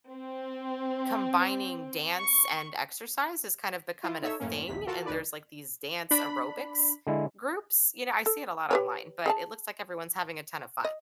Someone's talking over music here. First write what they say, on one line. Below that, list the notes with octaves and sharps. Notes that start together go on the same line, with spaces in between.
combining dance and exercise is kind of becoming a thing, and there's like these dance aerobics groups, you know, I see it a lot online, but it looks like everyone's having a ton of fun.
C4
C#6
E4 F4
D#4 A4 C#5 E5 E6
F#2 A2 A#3 C#4
A#1 D#2 C3 B6
F4 F#4 A4 A#4 A5
C#2 D#4 B4 D5
D4 B5
D3 G#3 E4
A4
G4 B4 C#5
G#4 G5 A5
D#5